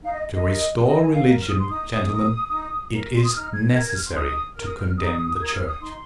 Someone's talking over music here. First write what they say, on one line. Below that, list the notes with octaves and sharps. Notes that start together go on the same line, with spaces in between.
To restore religion, gentlemen, it is necessary to condemn the Church.
D#4 F5
D#5
D#5
A#4
D#4 D#5
G#5
F5
A#4
F6
D#6
C6
D#4 D#6
A#4
D#4
A#4
C6
D#6
D#4 F6
G#6
A#4 G#6
G#6
F6
C6
D#4 D#6
A#4 F6
D#6
F6
D#4 D#6
A#4 G#6
F6
D#6
D#4 C6